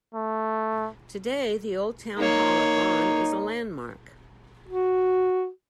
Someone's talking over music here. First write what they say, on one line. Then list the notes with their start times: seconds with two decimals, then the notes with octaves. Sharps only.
Today, the old town hall of Vaughan is a landmark.
0.15 A3
2.18 A#3 D#4 C#5
4.68 F#4